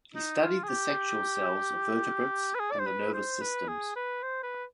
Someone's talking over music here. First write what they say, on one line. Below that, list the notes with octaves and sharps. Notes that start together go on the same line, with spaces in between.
He studied the sexual cells of vertebrates and the nervous systems.
D#4
F4
G#4
G4
B4
G#4
D5
C5
B4
C5
B4
G#4
B4
C5
B4